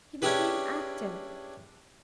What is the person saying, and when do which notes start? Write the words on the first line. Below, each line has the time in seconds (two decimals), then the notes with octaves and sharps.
He became active.
0.22 C#4 D4 E4 G4 G#4 B4